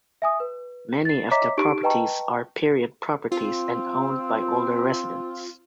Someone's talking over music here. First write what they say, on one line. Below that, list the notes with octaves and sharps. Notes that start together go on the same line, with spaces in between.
Many of the properties are period properties and owned by older residents.
E5 G#5 D#6
B4
A6 C7
C#5 D#5 E5 A#5 D6 B6
D#4 G4 C#6 D7
B4 D#5 G5 A5 A#5 C#6
C4 F4